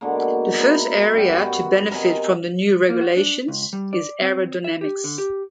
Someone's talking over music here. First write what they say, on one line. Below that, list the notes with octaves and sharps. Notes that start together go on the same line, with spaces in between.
The first area to benefit from the new regulations is aerodynamics.
B2 D3 G#3 A#3
E4 A#5
F#2 G3 F#5 G5
B3 F#4
C3 A#4 D#5 G#5
A#3
F#4
D4
C#2
G3
D5
C4
E5
G4
D3
G4